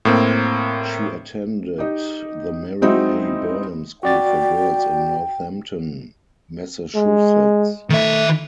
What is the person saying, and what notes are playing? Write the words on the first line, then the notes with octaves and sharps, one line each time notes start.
She attended the Mary A. Burnham School for Girls in Northampton, Massachusetts.
A2 A#3 C4
D#4 G4
F#3 G#3 C4 D#4 E4 F#4
F#4 D5 G5 A6
G#3
D#3 A3 E5